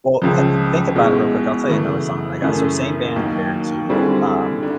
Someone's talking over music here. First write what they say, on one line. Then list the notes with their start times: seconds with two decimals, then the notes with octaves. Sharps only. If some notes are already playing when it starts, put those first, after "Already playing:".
Well, thi think about it real quick. I'll tell you another song that I got. So same band, Beartooth, um,
0.22 C#2 C#3 F3
0.95 B2 G#3 C#4 E4
1.69 C#3 E3 A3
2.42 F#2 C#3 E3 A3 C#4
3.16 D#2 D#3 F#3 A#3
3.89 D3 G3 C4 E4 G#4
4.63 D3